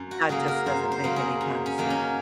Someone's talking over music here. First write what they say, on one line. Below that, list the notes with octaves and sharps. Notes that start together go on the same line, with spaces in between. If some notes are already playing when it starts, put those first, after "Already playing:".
That just doesn't make any kinda sense.
Already playing: F#2
F#4
C#3 F#3 A#3 G#4
A#4
F#2 C5
C5
C#3 F#3 A#3
G#4
F#2
C#4
D#3 F#3 A#3
C#4